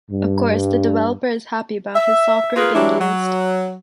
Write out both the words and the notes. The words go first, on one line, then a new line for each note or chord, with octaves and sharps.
Of course the developer is happy about his software being used.
G2
E5
A#3 F4 G#4 A#4 B4
E3 F#3 G3 D4 E4
F#3